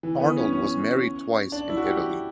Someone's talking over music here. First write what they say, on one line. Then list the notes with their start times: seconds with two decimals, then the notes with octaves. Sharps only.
Arnold was married twice in Italy.
0.03 E3
0.20 B3
0.37 C#4
0.53 C#4
1.52 D4
1.69 E4
1.77 F#4
1.85 G4